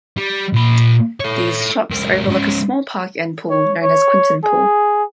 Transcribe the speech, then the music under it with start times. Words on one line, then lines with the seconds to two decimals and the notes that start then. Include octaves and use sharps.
These shops overlook a small park and pool known as Quinton Pool.
0.17 G3
0.53 A#2 B5
1.20 A4 C#5
1.90 C#2 A#4
2.27 G#2 C#4
3.50 C#5
3.82 C#5
4.44 G#4